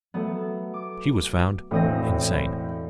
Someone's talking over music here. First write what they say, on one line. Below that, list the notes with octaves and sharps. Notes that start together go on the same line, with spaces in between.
She was found insane.
F#3 A3 B3
D6
E1 A2 C4 D#6 A#6